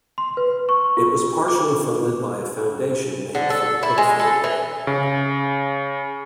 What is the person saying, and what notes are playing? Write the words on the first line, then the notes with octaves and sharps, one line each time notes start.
It was partially funded by a foundation named for the Cooke Family.
C6
B4
C#6
F4
D6
D3
A4
E4
G#3
A4
E3
C#3